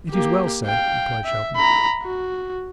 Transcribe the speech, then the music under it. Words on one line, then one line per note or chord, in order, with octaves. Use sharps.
"It is well said," replied Shelton.
A#3 G4
F5 G5
E5
A#5 B5
F#4